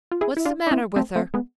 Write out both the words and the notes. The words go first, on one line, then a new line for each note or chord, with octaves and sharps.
What's the matter with her?
F4
E4 G#4
E4
D4 F4
D4
C4 E4
A3 C4
A3 C4
G#3 B3